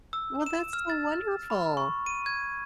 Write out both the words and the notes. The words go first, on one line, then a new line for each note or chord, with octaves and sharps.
Well, that's so wonderful.
E6
E7
F6
A6
B5
C#6
D#7
G#6